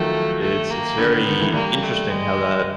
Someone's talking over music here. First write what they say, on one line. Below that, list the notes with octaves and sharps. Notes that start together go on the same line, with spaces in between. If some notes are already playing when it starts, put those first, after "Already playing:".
it's it's very interesting how that
Already playing: D#3 F3 F#3 A3
A3
A#3
D3 B3
D3
D#3
E3
G3 A#3
A3
G#3